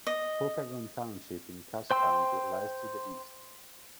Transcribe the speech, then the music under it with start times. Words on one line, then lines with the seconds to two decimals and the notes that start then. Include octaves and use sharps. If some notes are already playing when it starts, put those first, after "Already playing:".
Pokagon Township in Cass County lies to the east.
0.07 D#5
1.91 C5 G5 C6 E6